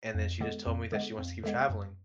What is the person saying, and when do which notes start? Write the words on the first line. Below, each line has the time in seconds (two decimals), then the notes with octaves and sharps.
and then she just told me that she wants to keep traveling,
0.14 F2
0.41 D3 G#3 B3
0.66 F2
0.92 D3 G#3 B3
1.18 F2
1.44 D3 G#3 B3
1.69 F#2